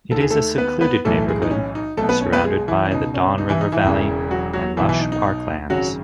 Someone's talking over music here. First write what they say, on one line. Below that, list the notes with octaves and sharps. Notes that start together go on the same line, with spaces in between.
It is a secluded neighbourhood, surrounded by the Don River Valley and lush parklands.
D#2 D#3 A4
G#4
A3 A4
B3 B4
B3 B4
B1 A2 E3 A3 A4
G#3 G#4
D#4
C#4
D#4
B1 B2 A3 A4
B3 B4
C#4 C#5
B3 B4
G#3 G#4
E3 E4
C#4
C#2 B2 D#4
C#4
D#4
E3 E4
D#4
E3 E4
E1 E2 C#3 E3
F#3 F#4
F#3 F#4
B1 B2 E3 E4
E3 E4
D#4
D#4
G#1 F#2 C#3 F#3 F#4